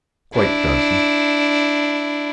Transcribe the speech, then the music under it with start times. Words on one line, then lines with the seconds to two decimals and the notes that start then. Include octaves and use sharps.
"Quite, Johnson."
0.34 D4 E4